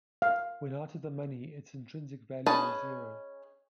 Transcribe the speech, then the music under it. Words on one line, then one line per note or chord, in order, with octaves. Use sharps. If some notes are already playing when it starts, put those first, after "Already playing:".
When out-of-the-money, its intrinsic value is "zero".
F5
C#4 G#4 B4 D#5 A5